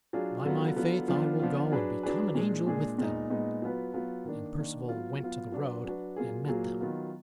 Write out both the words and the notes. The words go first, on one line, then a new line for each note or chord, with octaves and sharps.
"By my faith, I will go and become an angel with them." And Perceval went to the road and met them.
F#3 D4 F4 G#4
D3 F#3 B3 F4
D3 F#3 B3 F4
F3 B3 D4 F4
F3 B3 D4 F4
F#3 D4 G#4 B4
F#3 D4 G#4 B4
A#2 G#3 D4 G#4
A#2 G#3 D4 G#4
A#2 G#3 B3 D#4
A#2 G#3 B3 D#4
F#3 B3 F4 B4
F#3 B3 F4 B4
D#3 A#3 D4
D#3 A#3 D4
F#3 B3 F4
F#3 B3 F4
F#3 D4 F#4 B4
F#3 D4 F#4 B4
A#2 F#3 A#3 F4 G#4
A#2 F#3 A#3 F4 G#4
D#3 F#3 B3 F4